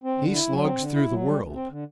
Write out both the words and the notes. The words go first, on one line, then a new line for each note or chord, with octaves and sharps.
He slogs through the world.
C4
D3
E4
F#3
C4
D3
E4
F#3
G3
D2
C4
D3